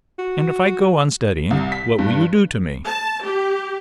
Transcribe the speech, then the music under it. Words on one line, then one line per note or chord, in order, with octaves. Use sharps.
"And if I go on studying, what will you do to me?"
F#4
C2
B6
G2
A5
G4